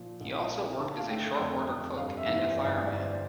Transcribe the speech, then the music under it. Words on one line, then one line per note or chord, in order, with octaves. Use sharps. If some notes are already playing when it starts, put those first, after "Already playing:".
He also worked as a short-order cook and a fireman.
Already playing: A#2 F3
A#1
A#3
D3 A5
F5
A3 G5
F2 G5
F2
G2 F5
E5
E3
C5
G1 D5
G1 D5
C5
D5